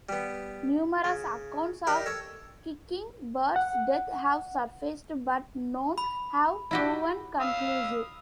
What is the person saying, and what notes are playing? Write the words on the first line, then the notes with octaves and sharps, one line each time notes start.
Numerous accounts of Kicking Bird's death have surfaced but none have proven conclusive.
G3 B3
C#3
D#4 G4 A#4 D5 F5
A4 C#5
F#5
B5
E4 F#4 G4
F5 D#6 E6